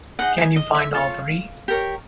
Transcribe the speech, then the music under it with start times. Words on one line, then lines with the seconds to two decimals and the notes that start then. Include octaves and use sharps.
Can you find all three?
0.19 D#4 G#4 B4 D#5 F#5
0.38 G#5
0.56 D#5
0.75 E5
0.94 F4 A4 C#5 F5
1.68 G4 A#4 C#5